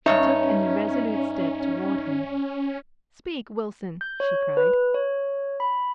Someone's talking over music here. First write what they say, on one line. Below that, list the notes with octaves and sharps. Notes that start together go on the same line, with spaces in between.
She took an irresolute step toward him. "Speak, Wilson!" she cried.
G2 B2 C#4 D#4 C#5 E5
G6
C#5
B4
C#5
B5